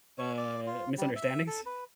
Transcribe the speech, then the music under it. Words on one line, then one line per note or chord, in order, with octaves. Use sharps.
uh, misunderstandings?
C#5
D5
F4
G3
E5
A4
B4